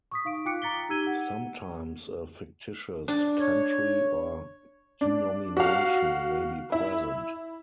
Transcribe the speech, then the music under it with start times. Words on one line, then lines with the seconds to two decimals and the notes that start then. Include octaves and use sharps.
Sometimes a fictitious country or denomination may be present.
0.11 C#6 D#6 B6
0.25 D#4 F5 C#6 D7
0.45 F4 G5 D6 F#6 C#7 D7
0.62 A#5 A6 B6 G7
0.89 D#4 G4 E6 G#6 D#7 G7
1.07 F#5
3.08 D4
3.40 C#5
5.01 D4
5.57 F#4 F5
6.72 E4